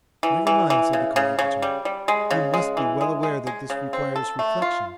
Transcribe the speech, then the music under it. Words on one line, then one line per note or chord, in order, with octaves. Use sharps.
"Never mind," said the coadjutor; "you must be well aware that this requires reflection."
E3
E3
E3
C#3
C#3
C#3
G3
G3
G#3
C#3
G#3
E3
G#3
G#3
G#3
C#3
C4
A4
A3
F4